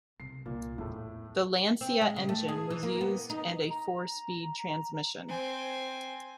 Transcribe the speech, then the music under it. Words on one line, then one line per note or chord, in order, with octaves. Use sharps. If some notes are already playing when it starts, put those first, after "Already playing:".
The Lancia engine was used and a four speed transmission.
C2 C3 C7
C2 A#2
E2 A2 A3
C4
G#3
C#3
A3
G#4
E3
A#3
B3
D#4
A#5
C4 G#5